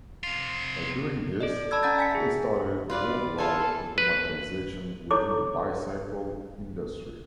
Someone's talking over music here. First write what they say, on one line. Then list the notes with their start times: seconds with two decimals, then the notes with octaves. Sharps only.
By doing this they started the worldwide automatization within the bicycle industry.
0.24 C3 F4
1.40 A4 D5 D#5
1.71 D5 A5 B5 E6 G#6
1.83 C#4 F#5 A5 A#5 G6 A6
1.98 G#5 B6 C#7
2.11 G#4 E5
2.90 F4 B4 D5
3.38 F4 A4 G#5
3.98 B4
5.11 E4 A4 C#5 D6